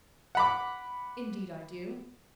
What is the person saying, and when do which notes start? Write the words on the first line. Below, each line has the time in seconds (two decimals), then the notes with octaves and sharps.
"Indeed I do."
0.35 F#5 B5 D6